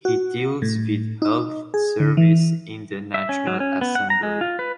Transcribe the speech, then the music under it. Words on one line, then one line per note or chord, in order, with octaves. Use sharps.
He deals with health service in the National Assembly.
F#4
A2
D#4
G#4
D3
E3
E5
C#4
F#3
C#4
B3
F#5
A#5
G#3
F4
B4